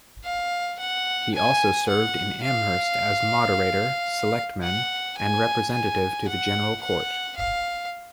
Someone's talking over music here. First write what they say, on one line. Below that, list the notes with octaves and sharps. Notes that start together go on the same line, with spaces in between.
He also served in Amherst as moderator, selectman, and representative to the General Court.
F5
F#5
G#5
F#5
F5
F#5
G#5
G#5
F#5
F#5
F5